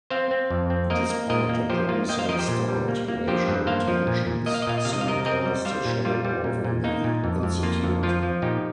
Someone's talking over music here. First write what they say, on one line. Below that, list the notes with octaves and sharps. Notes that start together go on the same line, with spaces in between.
Despite a promising start, racial tensions soon cast a shadow over the Institute.
C4 C5 F5
C4
F2
C4
A#3 A#4 D#5
A#3
A#2 A#4 D#5
A#3
F3 G4 C5
A#3 F4
A#3 D#5 G5
C5 F5
F3 A#4 D#5
G4 C5
A#2
G3
A#3
A#3
F3 G4 C5
G2
A#3 C5 F5
F3
A#2
A#2
A#3 D#5
F5
D#5
A#2 F5
D#5
C3 F5
D#5
F5
C3 A#4 D#5
C4 A#4 D#5
G3
G3 C5 F5
A#2
G3 F4
G3
A#2
A#2
A#3 D#4
A#2
F2
F2
A#3 F4
F2
F3 F4
F3
A#2 D#4 G4